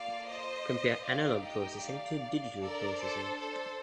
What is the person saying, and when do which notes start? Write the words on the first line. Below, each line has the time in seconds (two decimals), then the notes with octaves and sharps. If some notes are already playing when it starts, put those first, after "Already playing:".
Compare analogue processing to digital processing.
Already playing: A#3 F4 A4 D5 F5
0.27 C5 D#5
1.04 A3 D#4 G4 D5 F5
1.43 D#5 G5
1.82 D5 F5
2.60 D4 A4 A#4 D5
2.99 A4 C5
3.38 A4 C5